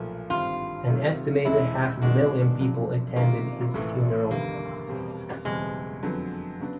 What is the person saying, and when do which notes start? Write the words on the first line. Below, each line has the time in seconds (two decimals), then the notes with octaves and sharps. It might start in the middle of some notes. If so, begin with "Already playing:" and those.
An estimated half a million people attended his funeral.
Already playing: B1 A#2 F3 A3
0.30 G#1 G2 D3 G3 C4 F4
0.88 C3 D#3 F#3 A3
1.44 E1 E2 C#3 E3 G#3 E4
2.02 F#2 D#3 G#3 C#4 D4 F#4
2.60 F1 F2 C#3 F#3
3.16 C3 D#3 G#3 A#3 C#4 F4
3.74 A1 A2 E3
4.30 F1 D#2 D3 G3 A#3 B3
4.88 E2 B2 G3 C4
5.45 F#1 E2 B2 G3 G#3 C4
6.03 F2 D3 F#3 B3
6.60 C#3 F#3 B3 D4